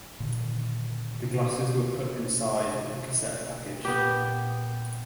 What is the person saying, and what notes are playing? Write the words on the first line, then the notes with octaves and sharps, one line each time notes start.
The glasses were put inside the cassette package.
A#2 D3 D#3
A#2 B3 G4